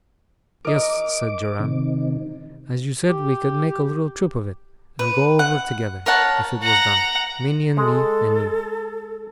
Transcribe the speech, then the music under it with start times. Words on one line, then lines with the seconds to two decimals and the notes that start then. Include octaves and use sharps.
'Yes,' said Joram. 'As you said we could make a little trip of it, and go over together, if it was done, Minnie and me--and you.'
0.65 A#4 D#5 D6
1.60 C3 D#3
3.09 G4
4.99 B4
5.39 F#5
6.06 A#4 C#5 F#5 A5
6.62 F#5 A#5
7.77 G#3 A4